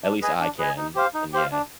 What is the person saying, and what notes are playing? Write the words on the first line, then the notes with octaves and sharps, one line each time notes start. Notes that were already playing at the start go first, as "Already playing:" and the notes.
at least I can, and yeah.
D4
G#4 B4 D#5 G#5
D4
G#4 B4 D#5 G#5
D#4
G4 C5 F5
D#4
G4 C5 F5
D4